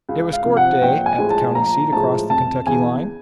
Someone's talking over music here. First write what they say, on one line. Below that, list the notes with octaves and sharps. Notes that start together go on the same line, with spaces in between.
It was court day at the county seat across the Kentucky line.
C#2
F5
C3 F3
F#5
A#1 G5
G#5
A2 F3 G#3
A5
A#1 A#5
A2 F3 G#3 A5
F1 A5
E2 C#3 G#5